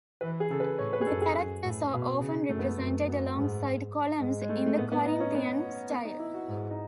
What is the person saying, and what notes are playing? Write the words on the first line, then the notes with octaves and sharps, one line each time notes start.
The characters are often represented alongside columns in the Corinthian style.
E3 B4
G#4
C#3 A4
B4
A2 C#5
B4
G#4
F#2 A4
G#4
F#2
A2
B2
C#3
F#2 A3
B3
A3
F#2
F#2
G#2
G#2 G#3
G#3
A3
A3
A2 B3
B3
D#4
C#4
B3
B3
D#4
E4
F#4
G#2
D#4